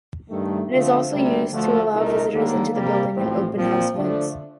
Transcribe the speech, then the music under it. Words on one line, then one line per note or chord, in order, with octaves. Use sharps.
It is also used to allow visitors into the building in open house events.
G2 D#3 A3
D3 F3 A3 C4 F4
D2 C3 G3
D2 D3 F3 A3
C2 A#2 A3 D#4 A#4
D#2 D3 G3 A#3
C3 G3 A#3
A1 A2 F3 C4
A#2 F3 C4
D3 F3 A3 D4